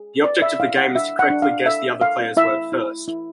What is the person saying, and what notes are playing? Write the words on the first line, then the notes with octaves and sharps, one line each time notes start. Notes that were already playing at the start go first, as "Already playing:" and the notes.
The object of the game is to correctly guess the other player's word first.
Already playing: G#4
B4 D5
E5
E4 F5
F#5
D4 E5
F#5
D4
F5
A4 E5
A4 F5
E4 E5
E4
E4